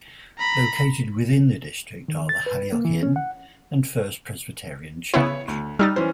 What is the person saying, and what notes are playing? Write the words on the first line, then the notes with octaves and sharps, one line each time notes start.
Located within the district are the Halliock Inn and First Presbyterian Church.
A#5 B5
D#3
A6
B4
A#3
E3
C#4
F#5
C#3 B3 E4 C#5
D2
G3 D#4 E6 F6 A6
E3 C#4 C5